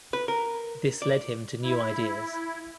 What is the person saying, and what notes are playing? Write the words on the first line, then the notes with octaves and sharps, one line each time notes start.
This led him to new ideas.
B4
A#4
D5
E4